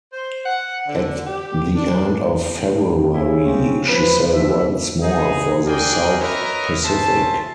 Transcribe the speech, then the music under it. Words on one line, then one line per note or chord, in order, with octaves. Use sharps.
At the end of February, she sailed once more for the South Pacific.
C5
F#5
D3
G4
D4
C#3 E4
C4 C#4
F3 B4
E5
D#4 G#4
F#4 G#4 A#4 D5 G5 G#5
A#4 B4 C#5 D#5 E5 A#5
C#4 C5 E5 A5